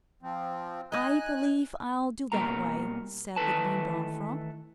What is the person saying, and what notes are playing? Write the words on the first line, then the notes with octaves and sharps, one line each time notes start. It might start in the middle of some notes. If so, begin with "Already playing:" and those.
"I believe I'll do that way," said the Green Brown Frog.
F3 C4
D#4 D#5 G#5 F#6
B2 G3 A#3 F#4 A#5
D#3 E3 A3 A4 B4 A5